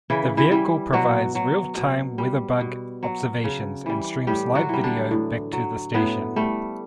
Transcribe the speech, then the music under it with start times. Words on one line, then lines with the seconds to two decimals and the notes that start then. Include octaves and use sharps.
The vehicle provides real-time WeatherBug observations and streams live video back to the station.
0.10 C#3 E3 E4
0.37 E3 E4
0.51 E3 G3
0.93 B2 F#3 F#4
1.35 F#3
1.77 B2
2.18 G3
2.60 B2
3.03 F#3
3.44 C#3
3.86 E3 G3
4.27 A2 G3 G4
4.55 F#3 F#4
4.69 E3 G3
4.83 D3 D4
5.11 A2
5.53 F#3
5.94 A2 B3
6.36 G3 A3